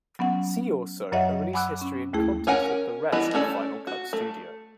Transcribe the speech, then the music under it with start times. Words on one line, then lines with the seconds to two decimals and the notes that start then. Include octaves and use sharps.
See also a release history in context with the rest of Final Cut Studio.
0.19 F#3 B3 C#4 F#5
1.12 F#2 F#3 C#5 D#5 E5 F#5
1.53 F#5 G#5 B5 D6 E6 F#6
1.81 C#4
2.13 D#2 A3 E4 G#4
2.47 C#4 A#4 F#5 G#5
3.12 E3 G3 B3 E4 D#5
3.34 A3 C#4 A4 D5
3.87 F#4
4.13 A3